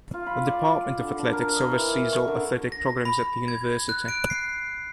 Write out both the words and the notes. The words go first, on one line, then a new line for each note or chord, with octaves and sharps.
The Department of Athletics oversees all athletic programs at the University.
F4
B5
D5
D5
D3
D4
A#4
D#5
E3
D#5
C#6
D3
A#6
B5
G#6
F#6
D7
C7